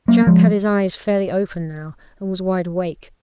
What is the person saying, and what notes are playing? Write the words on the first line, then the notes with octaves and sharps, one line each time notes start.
Jacques had his eyes fairly open now, and was wide awake.
F#3 A#3
F3 G#3